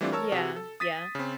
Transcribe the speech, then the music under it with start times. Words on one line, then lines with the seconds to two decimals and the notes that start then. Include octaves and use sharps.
Yeah, yeah.
0.01 E3 G3 A3 C4 D4 F4
0.12 A#4 C#5 A5 E6
0.32 C3 F#4 G#4
0.56 A4
0.80 D#6 A6 B6 D#7
1.15 C#3 C4